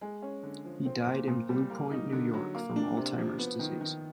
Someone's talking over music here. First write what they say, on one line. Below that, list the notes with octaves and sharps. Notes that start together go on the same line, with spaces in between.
He died in Blue Point, New York from Alzheimer's Disease.
G#3
C#4
D3
F3
C4
A#2
A#2
G3
A#3
D#4
D3
F#3
A#3
D4
C3
F3
B3
D#3
D#3